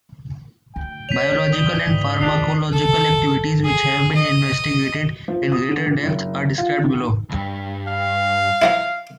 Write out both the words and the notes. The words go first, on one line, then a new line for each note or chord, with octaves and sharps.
Biological and pharmacological activities which have been investigated in greater depth are described below.
D2 G5
C#5 B6 D#7 F7
E3 D#4 D5 D#6 F#7 G7
G#2
A#2 F3 G#3 A#3 D4 D#4 C7 F7
A4
G#4
D#5
F3
D#6
D3
A#1
F#1
F4
D#3
C#2 G2
F5
F3 F#3 E4